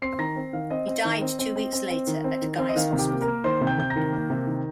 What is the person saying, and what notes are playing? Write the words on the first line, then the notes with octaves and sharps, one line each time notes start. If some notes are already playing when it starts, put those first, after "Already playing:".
He died two weeks later at Guy's Hospital.
C4 C6 C7
D#3 A#5 A#6
C4
D#3 F5
C4 D#5
C4
D#3
C4
C4
C4
C4
C4
D#3
C4
D#3
C4
D#5
D#3 F5
C3
G4 G5
A#3
A#4 A#5
A#3
D#3 C5 C6
C3
G5 G6
C3 G6
A#5 A#6
D#3
A#3
C3
D#3